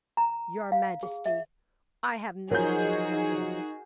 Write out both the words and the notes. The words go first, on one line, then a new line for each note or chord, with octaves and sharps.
"Your majesty, I have nothing to forgive."
A#5
F5
G#4
E5
F3 F#3 D#4 F#4 G#4 A#4 G6